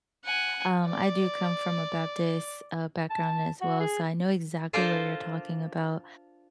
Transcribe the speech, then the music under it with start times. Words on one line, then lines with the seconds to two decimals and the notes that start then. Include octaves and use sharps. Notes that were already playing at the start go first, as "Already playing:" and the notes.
um, I do come from a Baptist, uh, background as well, so I know exactly what you're talking about,
0.25 F#5 G#5
0.87 D5
3.10 A5
3.61 F#4
3.80 G#4
4.73 D4 F4 A4 A#4 C5 D5